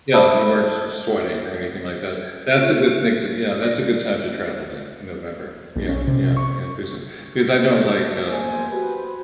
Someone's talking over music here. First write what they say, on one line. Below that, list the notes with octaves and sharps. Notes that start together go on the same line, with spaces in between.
Yeah, you weren't s sweating or anything like that. That's a good thing to Yeah, that's a good time to travel then- November. Yeah, yeah, yeah because I because I don't like, uh,
C5 E5 A5 B5 D#6 E6
F4
D5
B1
C#4
C3
C#6
F#3 A3
E2 A#3 C5 G#5
F#4 G4 B4 C5